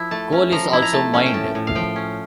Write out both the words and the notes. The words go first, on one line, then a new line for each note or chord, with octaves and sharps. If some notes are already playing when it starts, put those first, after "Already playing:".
Coal is also mined.
Already playing: F3 E4
A3 A5
C#4
F3 A#5
E4
A#5
A3 A5
C#4
G5
A2 A5
A2
F5
F3 G5
C#4